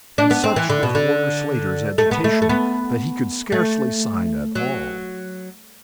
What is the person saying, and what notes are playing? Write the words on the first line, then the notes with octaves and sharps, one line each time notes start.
And such was Warder Slater's agitation, that he could scarcely sign at all.
D4
B3
C4
E3
D3
B2
D3
A3
B3
A3
A3
B3
A3
F#3